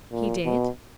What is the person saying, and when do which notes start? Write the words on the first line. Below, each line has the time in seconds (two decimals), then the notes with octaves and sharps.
"He did."
0.12 A#2
0.45 B2